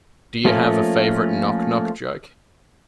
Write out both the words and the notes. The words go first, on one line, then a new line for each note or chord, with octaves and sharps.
Do you have a favourite knock knock joke?
F3 A3 A#3 C#4 F4